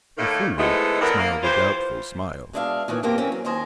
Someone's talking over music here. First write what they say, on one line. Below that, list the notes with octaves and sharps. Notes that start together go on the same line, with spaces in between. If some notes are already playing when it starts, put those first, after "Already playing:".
The Fool smiled a doubtful smile.
A2 D#3 A3 A#3
F3 G#3 A3 B3 D#4 E4
D3 E3 F#3 B3 A#4
A#3
E3 F4 G4 C5
B2 G#3 D4 A#4 E5 F5
A#2 D#3 E3 C#5
B2 E3 A#3 C4 G4
E3 C4 C#4
F#3
D#2 D#3 C5 D#5 G#5